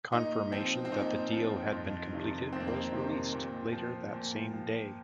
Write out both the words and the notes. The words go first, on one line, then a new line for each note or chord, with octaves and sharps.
Confirmation that the deal had been completed was released later that same day.
A#2 D#4
F3 C4
C4
A#2 D#4
F3
F2
C3 D#3
F2 C4
A#3
C4
C3 D#3
A#2
F3
A#2
F3